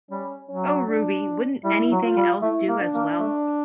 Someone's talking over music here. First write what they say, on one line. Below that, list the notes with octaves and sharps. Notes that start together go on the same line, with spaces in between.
O Ruby, wouldn't any thing else do as well?
G3 C#4
F#3 C#4
D4
G3 E4
F#3
F4
G3
A3 E4
A#3
D4
A#3
A3